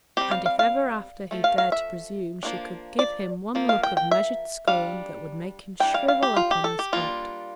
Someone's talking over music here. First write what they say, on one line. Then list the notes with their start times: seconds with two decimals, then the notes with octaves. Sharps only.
And if ever after he dared to presume she could give him one look of measured scorn that would make him shrivel up on the spot.
0.17 G3 C4 G4
0.31 F5
0.46 F5
0.59 F5
1.31 F3 A3
1.44 F5
1.58 F5
1.72 E5
2.43 F3 A#3 D4
2.99 D5
3.55 F3 A#3
3.69 F5
3.83 G5
3.97 G5
4.11 E5
4.67 G3 D4 F5
5.80 E3 G3 D4 G5
5.94 F5
6.08 F5
6.23 G4
6.36 F4
6.51 G4
6.64 A4
6.79 G4
6.92 G3 A#3 D4 F4